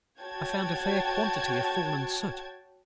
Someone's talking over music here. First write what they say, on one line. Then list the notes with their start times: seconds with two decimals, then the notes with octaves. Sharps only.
I found a fair quantity of fallen soot.
0.21 F#4 C#5 G5 A5 G#6